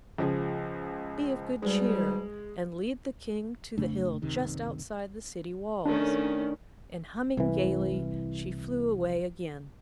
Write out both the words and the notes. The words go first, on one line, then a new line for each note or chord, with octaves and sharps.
Be of good cheer, and lead the King to the hill just outside the city walls.' And humming gaily she flew away again.
C#2 F3 G#4
G#2 B2 G3 G#3
F2 C#3 A3 D4
F#1 C#2 C3 D#3
D#3 A3 C#4 D4
C2 E3